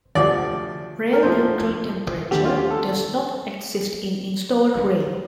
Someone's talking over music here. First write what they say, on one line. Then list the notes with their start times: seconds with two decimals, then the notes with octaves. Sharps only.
Rail Neutral Temperature does not exist in installed rail.
0.15 D2 C3 F3 D5
1.13 A#4
1.23 A2 F3 A3 C4 C5
2.31 D#2 D3 A3 D4 G4
2.45 F4
2.57 G4
2.70 A4